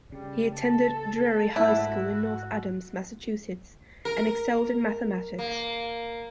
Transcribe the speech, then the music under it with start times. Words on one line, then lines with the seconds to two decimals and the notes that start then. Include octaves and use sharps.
He attended Drury High School in North Adams, Massachusetts and excelled in mathematics.
0.12 C#3 G3
0.55 A4
1.56 G#2 A3 E4 F#5 E6
1.90 F#4
4.05 A#4
5.38 A#3